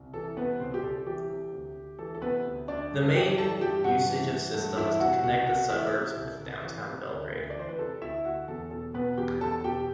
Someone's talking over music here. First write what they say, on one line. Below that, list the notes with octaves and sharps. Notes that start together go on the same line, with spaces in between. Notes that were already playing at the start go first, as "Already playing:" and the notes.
The main usage of system was to connect the suburbs with downtown Belgrade.
Already playing: C2
E3 A4
C3 B3 B4
C2 C4 C5
G4
C2 A4
E3 G4
C3
D2
D2
E3 A4
A4
C3 B3 B4
D2
D2 D4 D5
G2
E3 G4 G5
E3 A4 A5
G2 G4 G5
G2 F#4 F#5
E3
E3
G2
E3 E4 E5
C3 F#4 F#5
C2 F#4 F#5
C2 F#4 F#5
E3 E4 E5
C3
C2
C2
E3
C3
D2
D2
D5
E3 C5
B4
C3 A4
D2 E4 E5
D2 F#4 F#5
E2 A4
B2 A4
B2 B3 B4
E2 G4 G5
E2 A4 A5
B2 G4 G5